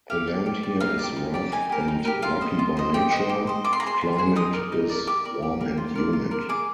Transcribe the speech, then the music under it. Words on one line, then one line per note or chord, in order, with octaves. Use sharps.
The land here is rough and rocky by nature.The climate is warm and humid.
G4 F5
D5
G4
D5
D#4 F5
G4 D5
D#4
G4 D5
D#4 G#5
G4 A#4
D#4
G4 A#4
F4 F5
C5 D#5
F4
C5 D#5
G4 G5
C5 D#5
G4
C5 D#5
F4 D6
C6
A#5
G#4 C5 C6
F4
G#4 C5
D#4 D#6
A#4 D5
D#4
A#4 D5
G4 D6
A#4 D5
G4
A#4 D5
F4
A#4 D5
F4
A#4 D5
G#4 D6